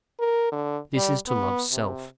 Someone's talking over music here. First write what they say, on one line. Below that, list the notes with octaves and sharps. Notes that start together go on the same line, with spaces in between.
This is to love self.
A#4
D3
G3
B3
C3